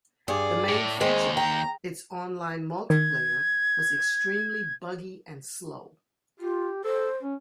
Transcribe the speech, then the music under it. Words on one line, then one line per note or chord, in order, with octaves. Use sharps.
The main feature, its online multiplayer, was extremely buggy and slow.
G2 G#4 D5
A2
D#2 G#3 C4 D#4
G5 A#5
D#3 G#6
F4 G4
A4 C5
C#4